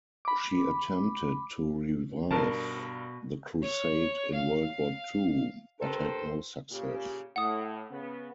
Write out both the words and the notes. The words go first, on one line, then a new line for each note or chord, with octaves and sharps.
She attempted to revive the crusade in World War Two, but had no success.
B5 D6
G2 B2 A#4 A5
C#5
F5
G2 A4 A#4 C5
A#2 C#3 G4
A2 F#5 D#6
C#3 B3